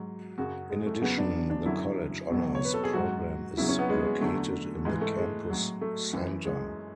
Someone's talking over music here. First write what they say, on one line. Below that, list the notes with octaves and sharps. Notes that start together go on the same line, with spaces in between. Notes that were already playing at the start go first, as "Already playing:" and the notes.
In addition, the College Honors Program is located in the Campus Center.
Already playing: G#2 F#3
F#2 C#3 F#3 F#4
G#3
A3
E2 C#3 F#3 B3
D4
D4
F#2 D3 F#3 E4
E2 B2 F#3
C#5
B4
A4
G#4
G#2 F#3 F#4
E2 C#3 F#3 E4
C#4
B3
G#3
G#3
E2 D3 F#3 A3
G#2 E3 G#3
A3
G#3
A2 F#3
A3
F#2 E3
G#3